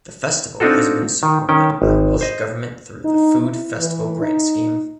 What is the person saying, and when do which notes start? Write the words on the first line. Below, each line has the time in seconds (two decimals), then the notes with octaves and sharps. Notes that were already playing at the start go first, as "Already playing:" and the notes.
The festival has been supported by Welsh Government through the Food Festival Grant Scheme.
0.60 C4 D4 D#4 F4 F#4 A4
1.23 D#3
1.49 D#3 C#4 G5
1.82 G#1
2.21 C5 D#5
3.04 D#4
3.42 E4
3.78 E3
4.21 D#4